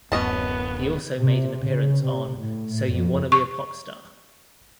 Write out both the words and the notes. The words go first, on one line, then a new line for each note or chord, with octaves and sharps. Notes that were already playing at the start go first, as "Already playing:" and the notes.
He also made an appearance on So You Wanna be a Popstar?
D1 F#2 B3 C#4 D#5 A5
C3
C#3
C3
A2
F2
C#6